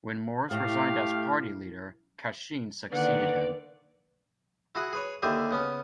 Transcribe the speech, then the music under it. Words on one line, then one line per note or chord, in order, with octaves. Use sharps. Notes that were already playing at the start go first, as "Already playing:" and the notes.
When Morris resigned as party leader Cashin succeeded him.
A2 A3 G4 F5
D3 D#3 A#3 B4 D5 F#5
E4 F#4 G#4 F#5
G#4 B4 C#5
D#2 D3 E4 G4 G#4 E5
C#3 B3 C#4